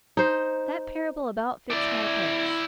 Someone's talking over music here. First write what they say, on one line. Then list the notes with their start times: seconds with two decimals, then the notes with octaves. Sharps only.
That parable about fits my case.
0.17 D#4 C5
1.70 E4 D5